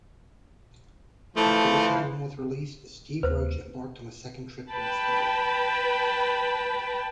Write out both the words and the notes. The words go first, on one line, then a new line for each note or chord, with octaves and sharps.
After this album was released, Steve Roach embarked on a second trip to Australia.
E3 F3 A3
D#2 B4 C5
B4 G5 A5 B5